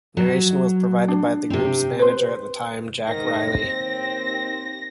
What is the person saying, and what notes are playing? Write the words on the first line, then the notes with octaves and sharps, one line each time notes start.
Narration was provided by the group's manager at the time, Jack Rieley.
F#3
D4
C3 C4
B4 C5
G#2 D#3 A#6
D#2 C4